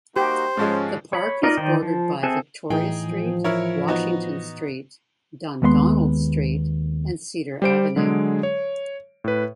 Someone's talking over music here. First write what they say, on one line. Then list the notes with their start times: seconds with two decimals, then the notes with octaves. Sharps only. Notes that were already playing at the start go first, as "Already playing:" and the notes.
The park is bordered by Victoria Street, Washington Street, Dundonald Street and Cedar Avenue.
0.16 A#3 D#4 F#4 G4 C5
0.57 G#2 F3 G#3 C#4
1.13 C#5 B5
1.43 D#4 F4 A#4 D5 D#5
1.57 D#3 D#4 C5 D5 G5
1.83 F3
2.23 C4 G#4 A4 E5
2.70 A2 E3 D#4 G#4 G5
3.03 F3
3.44 E4 A#4 C#5
3.88 B3 D#4 F#4
5.62 D#2 G#3 B3 D#5 C6
7.62 G3 C5 D7
7.96 D3 F#3 G#3 G#4
8.43 C#5
9.24 A2 B4